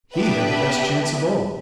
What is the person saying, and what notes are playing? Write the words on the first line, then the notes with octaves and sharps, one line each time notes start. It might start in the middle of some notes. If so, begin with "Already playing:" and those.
He had the best chance of all.
B3 D4 G4 B4 E5